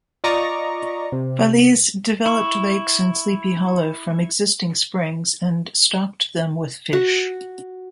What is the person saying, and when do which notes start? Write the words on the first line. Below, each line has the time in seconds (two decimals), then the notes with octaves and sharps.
Falese developed lakes in Sleepy Hollow from existing springs and stocked them with fish.
0.24 F4 D5 D#5 A#5 C#6
1.12 C3
2.26 E4 C#6
6.93 F#4